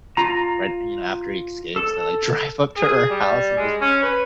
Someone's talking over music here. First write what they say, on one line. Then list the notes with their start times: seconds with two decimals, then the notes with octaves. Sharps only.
right, you know, after he escapes, they, like, drive up to her house and just
0.17 F4 A#5
1.76 A4
2.77 G#4
3.10 G3
3.56 G#3
3.80 C#4
4.02 B4